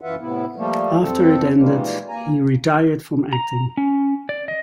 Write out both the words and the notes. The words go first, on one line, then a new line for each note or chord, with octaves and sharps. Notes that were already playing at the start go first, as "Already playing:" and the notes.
After it ended he retired from acting.
F#2 E3 F4 B4 E5 F#5
A2 C3 B3 E4
F3 G3 A3 A#3
F2 C4 A4
A#2 D#3 E3 G3 G#3 A#3
A#3 G#5 A#5
A#5
C#4
D5
D#5